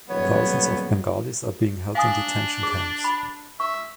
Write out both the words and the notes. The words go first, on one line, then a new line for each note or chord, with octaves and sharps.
Thousands of Bengalis are being held in Detention Camps.
D#1 F#3 G3 B3 C#5
D4 F5 G#5 D#6
G#4
B5
E5 C#6
E6